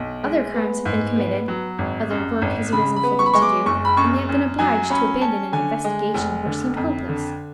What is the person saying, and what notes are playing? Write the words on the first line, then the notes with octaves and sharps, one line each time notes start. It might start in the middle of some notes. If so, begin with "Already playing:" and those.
Other crimes have been committed, other work has arisen for them to do, and they have been obliged to abandon an investigation which seemed hopeless.
Already playing: B1
G#3
B3
G#2
B3
F#3
G#1
F#2
G#1
C#3 B5
B5
B3
C#6
B5
G#3 C#6
D6
F#1 C#6
B5
F#2 C#6
F#2
F#3 G#5
C#4 B5
C#4 A5
D3 G#5
G#3
F1
D3
F2
D3